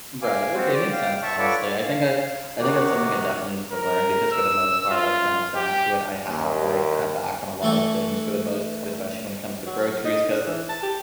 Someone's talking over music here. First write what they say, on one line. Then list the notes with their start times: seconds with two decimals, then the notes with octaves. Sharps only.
Right, okay, makes sense, honestly. I think I I think that's something I definitely needed to learn because for the most part when it comes down to it, I have, like, cut back on a lot of things for the most part, especially when it comes to groceries 'cause
0.22 F5 G#5 D6
0.55 C4 F#4 C5
0.73 D5
0.92 F5 G5
1.23 E5 A5 C#6
1.38 F4 A4 B4 C#5 D5 F#5
1.78 F5
2.60 C3 D#3 F#4 A#4 D6
3.72 A#4
4.32 E6
4.90 F4
5.56 G4
6.25 D#2
7.62 E3 A3 A4 C#6
9.67 F#3
10.05 D#4
10.31 D4
10.46 E3
10.69 A5
10.83 G4